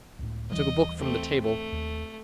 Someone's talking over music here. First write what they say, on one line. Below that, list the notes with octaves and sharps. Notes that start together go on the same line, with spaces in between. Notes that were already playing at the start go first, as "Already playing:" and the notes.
I took a book from the table.
C#2 A2
D#2 E3 G3 D#5
A3 C4
A3
D#2